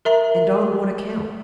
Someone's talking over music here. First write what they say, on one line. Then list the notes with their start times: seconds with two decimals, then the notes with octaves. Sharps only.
"And on what account?"
0.05 A#4 E5 A#5